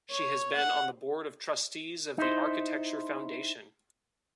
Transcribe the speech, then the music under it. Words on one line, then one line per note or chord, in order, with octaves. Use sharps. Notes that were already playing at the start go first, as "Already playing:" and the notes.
She has been on the Board of Trustees of The Architecture Foundation.
C#5
F#5
D#4 E4 C5